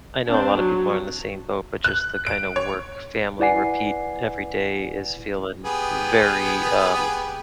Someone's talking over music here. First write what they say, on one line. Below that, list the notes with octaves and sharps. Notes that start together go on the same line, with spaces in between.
I know a lotta people are in the same boat, but just the kinda work, family, repeat, every day is feeling very, um,
C4 D4
F#3
F#6
D7
C#5
E4 B4 D5 F#5 G#5 C7
B3 G4 G#4